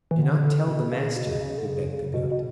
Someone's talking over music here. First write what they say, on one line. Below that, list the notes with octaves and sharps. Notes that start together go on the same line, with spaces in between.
"Do not tell the master," he begged the Goat.
E3
D3
B2
C#3
B2
B2
C#3
D3
C#3
B2
B2